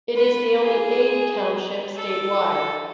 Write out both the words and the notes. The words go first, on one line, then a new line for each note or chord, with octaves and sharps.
It is the only Aid Township statewide.
B4
G#4
A4